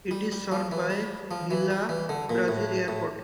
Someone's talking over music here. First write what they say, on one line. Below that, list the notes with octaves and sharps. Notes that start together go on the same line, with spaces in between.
It is served by Vila Brazil Airport.
G3
G3
F3
E3
G3
F3
E3
G3
E3
D3
A#2
A2
A2